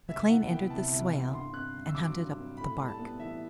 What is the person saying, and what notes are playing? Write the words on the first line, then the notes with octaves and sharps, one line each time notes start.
McLean entered the swale and hunted up the bark.
C2 E5
E3 F#5
B3 G5
C3 A5
C2
E3
G2 C6
C4 F#6
G2
E6
F#3 D6
G2
C4
A2 B5
G3
A5
B3
E3 E5